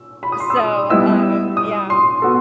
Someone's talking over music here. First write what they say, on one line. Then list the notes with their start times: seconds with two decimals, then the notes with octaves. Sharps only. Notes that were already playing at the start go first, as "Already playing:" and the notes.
So, um, yeah.
Already playing: E6
0.23 B5
0.32 D#6
0.40 C6
0.50 E6
0.57 D#6
0.90 G3 B3 E4 B4 D#5 E6
1.57 D#6
1.90 C6
2.22 B3 F#4 A4